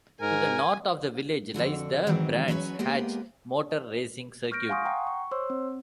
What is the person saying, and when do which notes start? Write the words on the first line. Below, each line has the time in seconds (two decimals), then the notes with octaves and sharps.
To the north of the village lies the Brands Hatch motor racing circuit.
0.21 G#2 A#4 G#5
1.54 F2 G#2 D3 F#4
2.07 D#3 E3 F#3 G#3 C4
2.48 F#3 C#4 B4 C#5
2.79 G#3 A#3 B3 G4
4.51 C#6 F6 G6 A#6 D7
4.69 F5 F#5 G#5 C6 C#6 D#6
4.85 F#5 G5 A#5
5.07 C#6
5.31 C5 C#5 C6 E6
5.50 C4